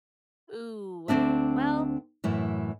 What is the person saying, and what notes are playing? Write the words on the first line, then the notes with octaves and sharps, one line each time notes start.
Ooh, well,
D2 D#3 C4 D4 E5
F#2 A2 E3